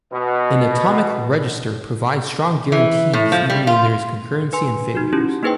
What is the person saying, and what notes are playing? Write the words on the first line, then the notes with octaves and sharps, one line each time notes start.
An atomic register provides strong guarantees even when there is concurrency and failures.
B2
E3
A2
F3
G3
F4
B4 G#5 C6
D#4 F#4
C#4 E4 G4
A#3 D#4 G#4 B4 C5 G5